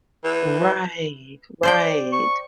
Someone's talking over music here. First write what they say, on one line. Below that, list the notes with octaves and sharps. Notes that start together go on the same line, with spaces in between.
Right, right,
E3
C5 D5 G5
C#6